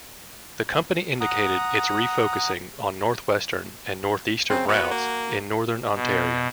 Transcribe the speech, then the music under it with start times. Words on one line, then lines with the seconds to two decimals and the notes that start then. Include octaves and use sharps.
The company indicated it's refocusing on northwestern and northeastern routes in Northern Ontario.
1.21 F#5 A#5 D#6
4.50 C#3 C4
4.69 B3 F#4 F#5
4.91 A#3
5.94 B2